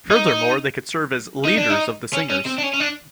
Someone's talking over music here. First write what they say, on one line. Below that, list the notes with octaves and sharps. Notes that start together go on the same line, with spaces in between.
Furthermore, they could serve as "leaders" of the Singers.
D#4
D#4
D4
D#4
C#4
C#4
C4
D4
C#4
C#4
D4